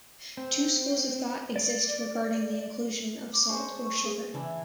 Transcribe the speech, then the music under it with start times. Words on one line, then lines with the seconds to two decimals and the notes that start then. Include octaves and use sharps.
Two schools of thought exist regarding the inclusion of salt or sugar.
0.37 C4
1.56 D5
3.33 D6
3.49 G#3 D4 C5 C#6
4.05 G#4
4.34 C#3 E3 D4 E4